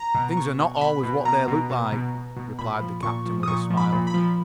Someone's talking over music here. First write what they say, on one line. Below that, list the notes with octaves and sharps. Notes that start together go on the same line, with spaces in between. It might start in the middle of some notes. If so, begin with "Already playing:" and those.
"Things are not always what they look like," replied the captain with a smile.
Already playing: A#5
B2
B2 C#6
B2
B2 B5
B2
B2 A#5
B2
B2
B2
B2
B2
A#2 B5
F3
A#2 C#6
F3
D#6
A#2 C#6
F3
B5
A#2
B5
F3